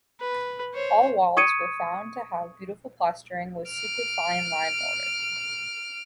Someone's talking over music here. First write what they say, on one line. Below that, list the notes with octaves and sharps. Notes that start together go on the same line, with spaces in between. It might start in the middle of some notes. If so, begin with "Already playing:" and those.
All walls were found to have beautiful plastering with superfine lime mortar.
B4
C5 C#5
C#6 D#6 G#6 C#7 D#7
F6 D7